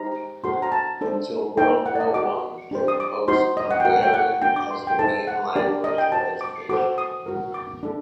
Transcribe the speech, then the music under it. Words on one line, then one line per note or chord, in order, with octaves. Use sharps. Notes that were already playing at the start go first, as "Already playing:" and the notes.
Until World War One, they imposed Hungarian as the main language of education.
Already playing: D#4 G4 C5 A#5
D4 F#4 A4 C5 C6
A#5
A5
D4 A4 C5
D#4 A4 C5 G5
F#5
D5
D#5
F#4 A#4 D6
D4 G4 C5
D#6
D6
D#4 F#4 C5 C6
D#5
F#5
G5
F#4 A#4 F#5
G5
F#5
D4 F#4 A#4 G5
D6
C6
G5
D#4 A4 C5 A5
F#5
D4 G4 A#4 D5
D#5
G5
F#4 C5 A5
D6
F#4 A4 C5 D6
D#6
F#4 A#4
D6
D4 A4